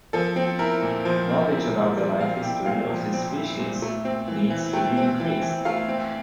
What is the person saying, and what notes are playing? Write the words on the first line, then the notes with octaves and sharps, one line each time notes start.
Knowledge about the life history of this species needs to be increased.
F3 A4
C4
E4 A#4
A#2
F3 C5
C4
E4
A#2
F3 D5
C4 F5
E4 G5
A#2 F5
F3
C4
E4
A#2
A3
C4
E3
E3
A3 G5
C4
E3
E3
A3 F5
C4